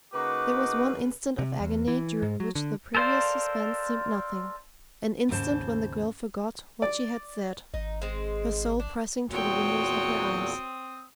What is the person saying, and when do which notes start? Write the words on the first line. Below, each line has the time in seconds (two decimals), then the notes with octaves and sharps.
There was one instant of agony during which the previous suspense seemed nothing--an instant when the girl forgot what she had said, her soul pressing to the windows of her eyes.
0.14 C#3 A#3 D#4 F#4 B4 D6
1.39 C3
1.60 E2
1.88 E3
2.22 G#2
2.40 F#3
2.55 D3
2.95 A4 A#4 C5 D5 F5
5.29 D#2 G#2 C#3 C5 A5
6.82 D5
7.74 G#1 D#4
8.02 G#3 C4
8.80 D4
9.31 E2 A#2 C4 F#4 C#5 G5 D#6